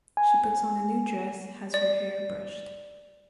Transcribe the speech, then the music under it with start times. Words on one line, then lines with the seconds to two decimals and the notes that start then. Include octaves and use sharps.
She puts on a new dress, has her hair brushed.
0.17 G#5
1.74 D5